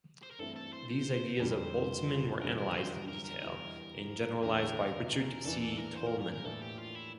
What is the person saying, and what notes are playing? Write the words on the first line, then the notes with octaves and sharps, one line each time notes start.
These ideas of Boltzmann were analyzed in detail and generalized by Richard C. Tolman.
C5
A#4
G2 E3 A3 C4 E4 A4
A4
C5
C5
F2 D3 G3
E2 D3 G3 A#4
A#4
C5
A#4
A#4
A#4
E2 E3 G3
E2 D3 A3 A#4
E2 E3 A#3 D4 A4
A4
A#4
C5
A#4
A#4
A#4
A2 E3 A#3 D4 A4
G4
F4
E4